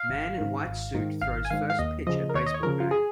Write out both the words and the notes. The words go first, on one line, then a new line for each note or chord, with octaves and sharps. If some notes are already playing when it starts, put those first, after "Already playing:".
Man in white suit throws first pitch at baseball game.
Already playing: F5
G#1
G#2 D#3
G#1
G#2 D#3
G#1 F5
G#5
G#2 D#3 F5
F5
D#2 D#5
C#3 F3 D#5
A#4
D#2 C#5
D#5
C#5
C#3 F3 A#4
F4
G#4